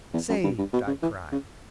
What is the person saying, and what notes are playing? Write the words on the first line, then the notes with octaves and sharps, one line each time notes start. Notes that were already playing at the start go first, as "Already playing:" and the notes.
"Saved!" I cried.
E2
F#2
G2
G2
B2
C#3
E3
C#3